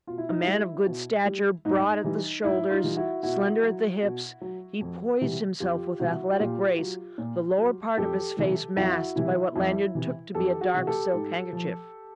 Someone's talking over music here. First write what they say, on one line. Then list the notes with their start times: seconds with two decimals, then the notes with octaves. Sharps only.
A man of good stature, broad at the shoulders, slender at the hips, he poised himself with athletic grace--the lower part of his face masked by what Lanyard took to be a dark silk handkerchief.
0.07 B2 F4
0.18 E4
0.29 D#4
0.40 E4
0.47 G3
0.87 B2
1.25 G3
1.65 G#2 D#4
2.04 E3 G3
2.44 G#2 E4
2.70 D#4 F4
2.84 E3 G3
2.97 E4 F#4
3.23 B2 E4 F#4
3.63 F#3
4.03 B2
4.41 F#3
4.81 F2
5.21 C3 E3 G3
5.60 F2 F4 G4
6.00 C3 E3 G3 E4 F#4
6.30 F#4
6.39 A#2 F4 G4
6.79 F#3
7.18 A#2
7.58 F#3
7.98 F2 G4 A4
8.37 C3 E3 G3
8.76 F2 E4 F#4
9.16 C3 E3 G3 E4
9.56 F2 E4
9.95 C3 E3
10.35 F2 G4 A4
10.61 F#4 G#4
10.74 C3 E3
10.87 G4 A4
11.14 G#2
11.53 F3